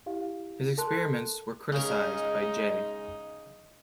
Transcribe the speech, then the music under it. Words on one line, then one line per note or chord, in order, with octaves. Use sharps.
His experiments were criticised by J.
E4 G4 F5
A4 A#4 A5 C6 F#6
C#3 G#3 D#4 A#4